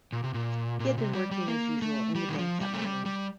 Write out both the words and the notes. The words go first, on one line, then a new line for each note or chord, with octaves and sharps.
He had been working as usual in the bank that morning.
A#2
C3
A#2
A#2
C3
G3
G3
A#3
A3
G3
D#3
F3
G3
A3
G3
G3